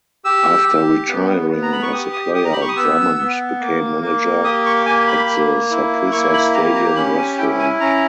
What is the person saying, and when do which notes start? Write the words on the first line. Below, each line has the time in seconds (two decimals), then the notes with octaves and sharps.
After retiring as a player, Drummond became manager at the Saprissa stadium restaurant.
0.25 G4 E6
0.67 G4
1.08 B3
1.50 B3
1.63 A#5
1.72 B5
1.82 C#6
1.92 G4 D#6
2.13 D#6
2.34 G4 D#6
2.45 A#5
2.53 B5
2.61 C#6
2.68 D#6
2.76 B3 E6
3.18 B3
3.60 A#3
4.02 A#3
4.44 G4 D#6
4.66 C#6
4.86 A#3 G#5
5.07 B5
5.29 A#3
5.70 E4
6.12 A#3 C#6
6.33 B5
6.54 G4 A#5
6.75 A#5
6.96 C#4 B5
7.17 G#5
7.38 E4 G5
7.60 G#5
7.80 C#4 A#5